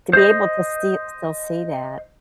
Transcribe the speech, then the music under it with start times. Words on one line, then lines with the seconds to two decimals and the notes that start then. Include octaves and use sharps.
to be able to sti still see that.
0.13 C5 D#5